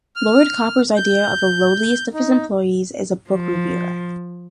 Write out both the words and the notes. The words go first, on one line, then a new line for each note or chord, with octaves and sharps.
Lord Copper's idea of the lowliest of his employees is a book reviewer.
F6
G6
D#4
F3